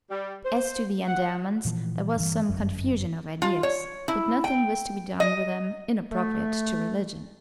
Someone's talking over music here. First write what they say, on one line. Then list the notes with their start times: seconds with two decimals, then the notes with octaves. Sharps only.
As to the endowments, there was some confusion of ideas; but nothing was to be done with them inappropriate to religion.
0.10 G3
0.44 C5
1.07 F#5
1.65 A#2 E3 F3
2.16 G2 E3
2.49 G1 F#2
3.42 F4
3.63 C#5
4.08 E4
4.44 G5
5.20 D#5
6.11 A3